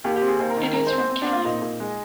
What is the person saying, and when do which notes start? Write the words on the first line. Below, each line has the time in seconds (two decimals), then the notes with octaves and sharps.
It is from Cali.
0.04 D#2 G4
0.16 G4
0.22 C4
0.28 G#4
0.39 D#2 C5
0.50 A#4
0.57 D#3
0.63 A#4
0.74 G#3 A#4
0.87 C5
0.93 C4
0.98 C5
1.10 C4
1.22 C4 D4
1.33 F4
1.45 A#2 D#4
1.62 A#2
1.80 G#3